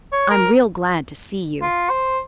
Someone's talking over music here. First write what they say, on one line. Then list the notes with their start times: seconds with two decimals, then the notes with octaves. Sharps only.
I'm real glad to see you.
0.12 C#5
0.31 A#4
1.62 F4
1.90 C5